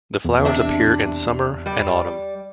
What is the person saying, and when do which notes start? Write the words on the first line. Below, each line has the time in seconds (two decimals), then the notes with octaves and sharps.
The flowers appear in summer and autumn.
0.25 E2
0.45 C3 D4 E5
1.66 G3 D5